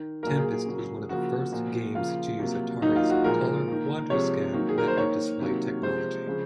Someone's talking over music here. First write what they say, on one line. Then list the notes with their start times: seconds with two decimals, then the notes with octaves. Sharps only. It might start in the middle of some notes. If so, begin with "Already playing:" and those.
"Tempest" was one of the first games to use Atari's Color-QuadraScan vector display technology.
Already playing: D#3
0.23 A#2 F#3 A#3 A#4
0.38 G#4
0.53 G#4
0.66 C#3 F#3 A#3
1.09 C#3 F3 A#3 F#4
1.52 A#2 F3 A#3
1.95 C#3 F3 A#3 F4
2.39 C3 F#3 A#3
2.81 D#3 F#3 A#3 D#4
2.96 F4
3.10 F#4
3.24 A#2 F3 G#3 A#4
3.68 D#3 A#3
4.10 C3 F3 G#3 C#5
4.53 D#3 F#3 A#3
4.69 G#4
4.78 A#4
4.88 C5
4.96 D#3 A#3 C#5
5.40 C3 D#3 F#3 A#3
5.82 C3 F3 G#3 C5
6.26 C#3 F3 G#3